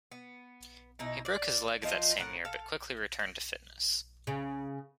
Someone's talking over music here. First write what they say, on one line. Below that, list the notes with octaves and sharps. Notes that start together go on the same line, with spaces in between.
He broke his leg that same year, but quickly returned to fitness.
B3
B2 D#4 E4
D5
F3 D#4 F4 C5
A2 A#4 F#5
A4 F5
C#3